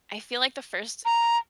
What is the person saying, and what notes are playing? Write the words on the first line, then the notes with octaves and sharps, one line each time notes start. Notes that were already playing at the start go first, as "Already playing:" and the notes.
I feel like the first
A#5